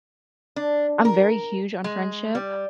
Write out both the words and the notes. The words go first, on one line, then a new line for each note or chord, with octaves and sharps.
I'm very huge on friendship,
D4
A#4
G#3
G3